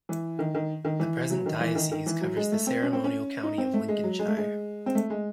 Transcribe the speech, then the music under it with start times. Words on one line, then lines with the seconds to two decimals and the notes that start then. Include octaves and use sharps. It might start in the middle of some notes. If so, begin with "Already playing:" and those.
The present diocese covers the ceremonial county of Lincolnshire.
0.09 E3
0.39 D#3
0.54 D#3
0.85 D#3
1.00 E3
1.30 F#3
1.46 D#3
1.61 E3
1.75 D#3
1.92 D#3
2.06 E3
2.21 F#3
2.36 G#3
2.52 A3
2.67 C4
2.82 C#4
2.93 C4
3.04 C#4
3.43 D#4
3.58 C4
3.73 A3
3.88 G#3
4.04 F#3
4.19 G#3
4.28 A3
4.37 G#3
4.86 C4
4.95 A3
5.10 G#3